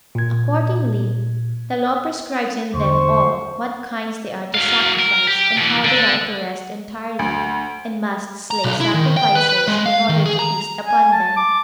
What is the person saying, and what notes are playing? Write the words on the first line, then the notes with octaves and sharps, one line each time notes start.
Accordingly, the law prescribes in them all what kinds they are to sacrifice, and how they are to rest entirely, and must slay sacrifices, in order to feast upon them.
A#2 G#6
E2 D3 C5 C#6
F#3 F5
A#4
G4
B2 E3
D3
D2
A#5
B1
E4
D#3
G5
B4
B4
G#3
F5
D#3
G#4
A#5
G#5
A5
D6